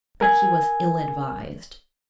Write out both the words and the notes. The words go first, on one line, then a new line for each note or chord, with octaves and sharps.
But he was ill-advised.
A#4 G#5 G#6